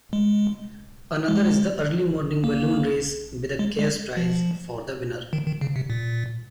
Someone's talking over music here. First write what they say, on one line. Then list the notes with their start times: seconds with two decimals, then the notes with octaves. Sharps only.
Another is the early morning balloon race with a cash prize for the winner.
0.13 G#3
1.28 G#3
2.44 A#3
3.59 G#3
3.79 G#3
4.17 F3
5.33 D#3
5.47 D#3
5.61 C#3
5.76 C3
5.90 A#2